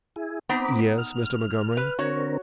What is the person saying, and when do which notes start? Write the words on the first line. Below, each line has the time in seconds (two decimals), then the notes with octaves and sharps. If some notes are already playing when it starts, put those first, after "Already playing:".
"Yes, Mr. Montgomery?"
0.16 E4 G#4
0.49 B3 C4 D#4 A#5 B5 D6
0.98 F6
1.77 B4
1.99 D3 C4 F#4 A#4 C#5